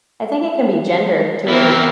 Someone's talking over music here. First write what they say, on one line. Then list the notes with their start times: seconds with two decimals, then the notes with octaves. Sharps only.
I think it can be gendered too.
1.48 E3 B3 C4 E4 A#4